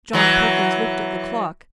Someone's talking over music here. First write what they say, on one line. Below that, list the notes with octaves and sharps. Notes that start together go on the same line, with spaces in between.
John Perkins looked at the clock.
E3 F#3